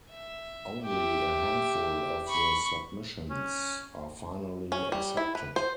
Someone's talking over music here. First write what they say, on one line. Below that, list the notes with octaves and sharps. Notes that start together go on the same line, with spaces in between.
Only a handful of the submissions are finally accepted.
E5
G4 E5
B5 C#6
C#4
C#4
G3
E4
B4
C5